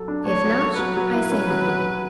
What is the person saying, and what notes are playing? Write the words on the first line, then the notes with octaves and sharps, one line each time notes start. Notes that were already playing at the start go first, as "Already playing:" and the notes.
"If not, I say no."
Already playing: F#3 A4
D4
A3 C#5
F#3
A4
F#3 B4
F#3
E4
C#4
F#3
F#3